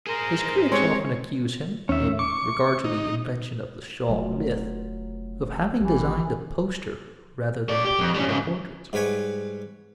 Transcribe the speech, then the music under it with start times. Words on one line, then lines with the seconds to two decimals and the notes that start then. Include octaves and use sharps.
His critics often accuse him, in regard to the invention of the Shaw myth, of having designed a poster rather than painted a portrait.
0.07 G#4 A#4 C5
0.72 G#3 C4 C#5 C6
1.89 D#2 C#4 E5
2.19 C#6 D6
2.84 D#4
4.08 F1 F#3 A3 F4
5.80 G#1 E3 G4
7.69 A3 D5
7.85 G4
7.99 F2
8.14 G3 C#4
8.29 G#2 C#3
8.93 G#2 G3 B4 C#5 G#5